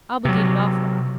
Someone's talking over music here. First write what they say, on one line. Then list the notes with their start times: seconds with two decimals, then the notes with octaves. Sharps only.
Obligated awful.
0.25 C3 F#3